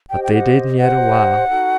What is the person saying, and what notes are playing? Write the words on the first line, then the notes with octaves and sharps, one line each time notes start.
But they didn't yet a while.
G4 C5 D#5 G5
G5
F#5
G4 C5 D#5 F#5
D#4 F#4 A4